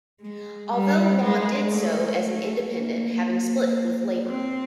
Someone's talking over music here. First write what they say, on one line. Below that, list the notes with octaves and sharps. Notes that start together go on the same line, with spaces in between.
Although Law did so as an independent having split with Labour.
G#3
G3
G#3
A3
A3
A#3
C4